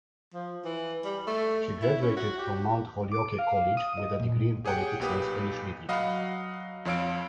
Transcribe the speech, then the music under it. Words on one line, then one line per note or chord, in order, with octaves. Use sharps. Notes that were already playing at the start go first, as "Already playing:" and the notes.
She graduated from Mount Holyoke College with a degree in politics and Spanish literature.
F3
E3
G3
A3
E4
C#4
F#4
G4
D6
F5
D#6
D#5
A#2
G4 G#4 C#5 F#5 G5
B1 A#2 G4 B4 D#6
F#3 D#5 F5 F#5 B5
F2 F3 C#5 F5 E6 D7